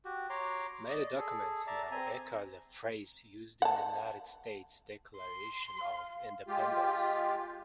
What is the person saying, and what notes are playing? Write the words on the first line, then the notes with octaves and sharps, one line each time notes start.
Many documents now echo the phrase used in the United States Declaration of Independence.
F#4 G4
C#5 A#5 C6 D6
D5 D#5
G#4 A4
D5 E5 A5 A#5
C4 G#5 A#5
F#5 A5
C6
F5
G#3 F4 G4